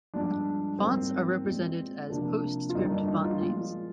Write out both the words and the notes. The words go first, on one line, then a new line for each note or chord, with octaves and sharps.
Fonts are represented as PostScript font names.
G2 F3 G#3 D4
G#2 D#3 G3 A#3 C4
A#2 G#3
C3 F3 A#3 D4
F4
G2 D3 G3 A#3 D#4
D4
D#4
F4
A#2 F3 G#3 F4